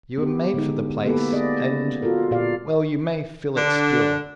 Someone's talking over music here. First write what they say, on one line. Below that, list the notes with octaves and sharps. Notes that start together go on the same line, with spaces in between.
You were made for the place, and--well, you may fill it still.
B3 G4
D3 G#3 D#4
A#3 B3 E4 G4 A4 B4
B3 G#4 D5 D#5
F4 F#4 A4 A#4
A#2 F4 G4 D5 F5
D3 D4